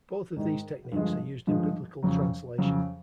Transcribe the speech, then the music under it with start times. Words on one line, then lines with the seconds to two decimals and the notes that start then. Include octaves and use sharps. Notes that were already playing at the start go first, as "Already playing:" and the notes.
Both of these techniques are used in biblical translation.
0.36 G#2 D#3 G#3
0.92 G2 D3 F3 G#3
1.47 G2 D3 F3 G#3
2.03 F2 C#3 F#3
2.58 F2 C#3 F#3